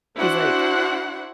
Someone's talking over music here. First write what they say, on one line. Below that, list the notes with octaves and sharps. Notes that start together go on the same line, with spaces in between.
He's, like,
D4 E4 F#4 C5 F#5